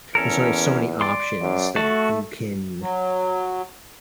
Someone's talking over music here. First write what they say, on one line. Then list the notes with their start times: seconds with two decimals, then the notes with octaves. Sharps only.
there's only so many options that you can,
0.15 E2 C#4 A4 A#4
1.01 D5 C6
1.41 F#2
1.76 A3 F#4 A5
2.82 F#3